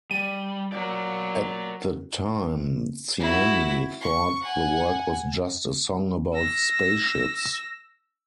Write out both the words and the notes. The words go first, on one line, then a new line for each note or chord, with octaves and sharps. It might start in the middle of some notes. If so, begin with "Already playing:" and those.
At the time, Ciani thought the work was just a "song about spaceships".
G3 D#7
F#3 A#4 D5
E4 F#4
C#6
F#5 G#5
E6 A#6